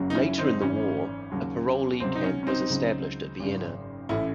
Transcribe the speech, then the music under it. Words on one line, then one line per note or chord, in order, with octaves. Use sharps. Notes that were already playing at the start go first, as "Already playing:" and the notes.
Later in the war, a parolee camp was established at Vienna.
Already playing: F#1 F#2 C#3 F#3
D#4
C#4 E4
C4 D#4
G#1 F#2 E3 C#4
D#2 C#3 F#3
C#2 C3 F#3 C4
D#4
C#4
C#4
C4 D#4
C#2 C#3 F#3
G#1 F#2 C#3
A1 A2 E3 C#4 E4